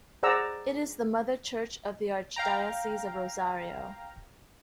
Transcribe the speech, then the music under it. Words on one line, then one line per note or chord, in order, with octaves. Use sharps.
It is the mother church of the Archdiocese of Rosario.
G#4 C5 D5 F#5 A#5 E6
F5 G5 A#5